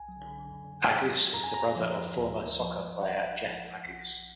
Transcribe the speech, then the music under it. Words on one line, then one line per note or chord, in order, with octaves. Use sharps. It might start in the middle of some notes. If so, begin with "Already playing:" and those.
Agoos is the brother of former soccer player Jeff Agoos.
Already playing: B1 G#5
F#3
F2
F#3
F2 A#5
G#5
A#5
F3
D2
F3
A#1 F#5
F3
A#1